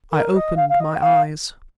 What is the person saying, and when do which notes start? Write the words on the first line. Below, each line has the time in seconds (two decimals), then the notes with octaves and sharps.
I opened my eyes.
0.11 A#4
0.34 D#5
0.56 F5
0.68 F5
0.80 D#5
0.95 G5
1.02 F5